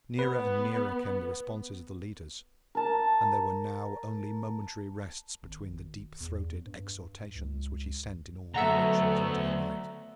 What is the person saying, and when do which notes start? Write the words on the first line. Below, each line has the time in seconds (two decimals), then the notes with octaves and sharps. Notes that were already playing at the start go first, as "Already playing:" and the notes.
Nearer and nearer came the responses of the leaders, and there were now only momentary rests between the deep-throated exhortations which he sent in all directions into the night.
0.19 B3 B4
2.75 A#4 A5
5.42 G#1
6.20 E2
6.66 G2
7.35 C#2
8.54 D2 F#3 A3 B3 E5 F#5 A#5